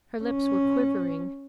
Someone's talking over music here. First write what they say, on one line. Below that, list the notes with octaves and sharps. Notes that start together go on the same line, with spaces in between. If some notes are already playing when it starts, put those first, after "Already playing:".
Her lips were quivering.
C#4